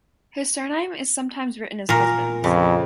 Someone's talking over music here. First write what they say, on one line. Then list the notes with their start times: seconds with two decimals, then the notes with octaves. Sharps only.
His surname is sometimes written as Husbands.
1.89 A#2 A#4
2.44 F2 C#3